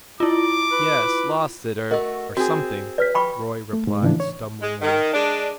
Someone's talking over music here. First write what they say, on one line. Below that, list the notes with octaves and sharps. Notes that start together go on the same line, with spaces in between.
"Yes; lost it, or--or something," Roy replied stumblingly.
E4 F4 D6
B4
A3 F#4 A#4 D#5
C4 F#4 G#4
B4 D5 F6 B6
G5 B5 C#6
A3
G#2 G#3
A2 C#3 E3 F3 D4
C#5
G#3
D#3
G#3 D4